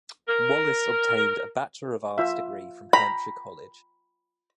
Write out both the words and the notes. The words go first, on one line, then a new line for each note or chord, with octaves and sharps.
Wallace obtained a Bachelor of Arts degree from Hampshire College.
A#4
F4 E5
G5 A#5 B5